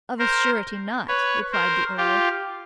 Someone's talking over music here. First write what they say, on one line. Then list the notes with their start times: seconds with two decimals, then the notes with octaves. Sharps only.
"Of a surety not," replied the earl.
0.19 A#4 C5
1.08 B4 C#5
1.52 A#4 C5
1.97 F4 G4